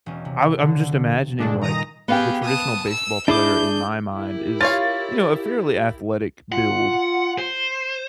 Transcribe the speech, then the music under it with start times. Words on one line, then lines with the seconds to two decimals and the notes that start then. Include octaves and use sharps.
I'm I'm just imagining, like, the traditional baseball player in my mind is, you know, a fairly athletic build,
0.06 E1 C#4
0.25 C3
0.63 D3
1.39 G1 A#2 G#3 D4 A4
1.61 D#3 A#5 D#6 A#6
2.08 B3 G4 G#4 F5 G5
2.44 A5 D#6
2.90 E6
3.28 D4 E4 G#4 D6 G6
4.16 E4 G4 A#4
4.61 F4 C#5 F5 A6
6.52 F4 F#5
7.38 C5